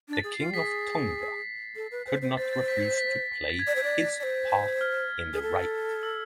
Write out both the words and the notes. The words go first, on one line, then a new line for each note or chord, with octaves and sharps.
The king of Tonga could not refuse to play his part in the rite.
D4 A6
G#4
C7
F4
G#4 B6
A4
B4
C5
C5
C5 A6
A6
B6
B6
B6
A6
G#6
D5
C5
D5
D5
C5
F6
G#4
A4
E6